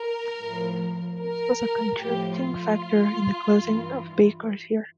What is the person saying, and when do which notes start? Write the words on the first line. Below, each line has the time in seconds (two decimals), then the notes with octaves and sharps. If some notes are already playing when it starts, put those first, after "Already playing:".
This was a contributing factor in the closing of bakers here.
Already playing: A#4
0.38 A2 F3
1.18 A#4
1.98 A2 F3 G4
2.38 F4
3.58 G2 E3